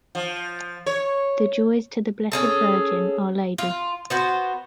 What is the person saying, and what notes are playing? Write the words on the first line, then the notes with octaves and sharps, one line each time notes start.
The joys to the Blessed Virgin, Our Lady.
F3
C#5
C#4 G#4 A4
F4
B3 F#4 C5